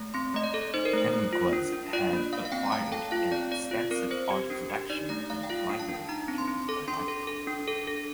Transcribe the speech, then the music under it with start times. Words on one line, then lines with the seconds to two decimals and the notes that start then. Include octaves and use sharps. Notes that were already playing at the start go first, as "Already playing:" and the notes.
Henriquez had acquired an extensive art collection and library during her lifetime.
Already playing: A3
0.14 C4 C6
0.34 A3 D#5
0.44 D5
0.54 A4
0.74 D#4 C5
0.85 A#4
0.93 A3 C5
1.14 A3
1.33 F4
1.53 D4
1.72 D4
1.93 F4 D5
2.13 A#3
2.33 A#3 F5
2.45 F5
2.52 C4 G5
2.66 A#5
2.72 A3 A5
2.92 A4 G5
3.11 F4 F5
3.31 C4 D5
3.51 C4 D5
3.71 F4
3.91 C4 A#4
4.11 C4 C5
4.31 G4
4.50 D4
4.70 G4
4.90 D#4 D5
5.09 A3 D5
5.30 A3 F5
5.43 G5
5.49 F4 F5
5.69 D4
5.80 A5
5.89 D4
6.09 D#4 A#5
6.28 C4
6.38 C6
6.48 C4
6.69 A4 D6
6.88 D4 C6
7.08 A4
7.27 A4
7.47 D4
7.68 A4
7.87 A4